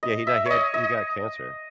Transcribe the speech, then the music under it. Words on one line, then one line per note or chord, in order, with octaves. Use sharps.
Yeah, he di he had he got cancer.
D#5
E5
C#5 D#5
D#5